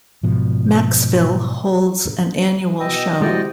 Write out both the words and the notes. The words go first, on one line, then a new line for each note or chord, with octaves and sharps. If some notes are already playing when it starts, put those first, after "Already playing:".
Macksville holds an annual show.
G#2 B2 F3
B2 D#5 G5 E6
C3 G#3 E4 F#4 D5 D#5 G5